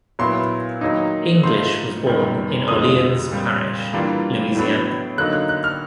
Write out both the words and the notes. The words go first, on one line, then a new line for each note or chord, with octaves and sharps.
English was born in Orleans Parish, Louisiana.
A#2 F#3 B3 E4 C6
D#3 F#3 A#3 D#4
G#2 F3 A3 C6
F#2 D#3 G3 B3
F2 D3 F3 G#3 D#6
A#2 G3 C4
E3 G3 A#3 D4 F4
A2 F#3 B3 D4
D3 F#3 A#3 D#4 F#6
F#6
F#6
F6